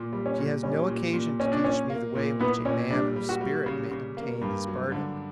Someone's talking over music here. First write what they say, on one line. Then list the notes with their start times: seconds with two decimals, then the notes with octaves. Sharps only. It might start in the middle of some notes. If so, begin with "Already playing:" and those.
She has no occasion to teach me the way in which a man of spirit may obtain his pardon.
Already playing: A#2
0.13 G3
0.26 C#4
0.38 A#2
0.63 G3 C#4
0.88 A#2
1.13 A#2
1.39 A#2 C#4
1.52 D4
1.64 A#2 C#4
1.90 A#3
2.15 A#2
2.39 B3 E4
2.65 A#2 C#4
2.90 G3 D4
3.16 G3
3.29 F#4
3.41 G3
3.66 C#3
3.91 C#3
4.17 A#3
4.42 G2
4.67 F#3
4.92 D3